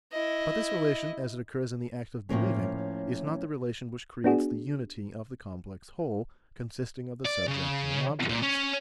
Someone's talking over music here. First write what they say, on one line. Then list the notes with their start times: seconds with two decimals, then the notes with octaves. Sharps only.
But this relation, as it occurs in the act of believing, is not the relation which creates the unity of the complex whole consisting of the subject and the objects.
0.12 E4 D#5
2.29 A2 F3 A#3 C#4
4.24 B3 D4 F#4 G#4
7.26 D5
7.48 C#3
8.29 A#2
8.42 C#4